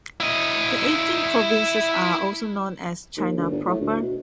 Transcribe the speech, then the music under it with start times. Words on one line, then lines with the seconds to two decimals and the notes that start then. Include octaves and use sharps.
The eighteen provinces are also known as "China proper".
0.20 E4 D#5
3.17 D#2
3.37 D2
3.51 G1
3.67 A2
3.80 D2
4.02 B2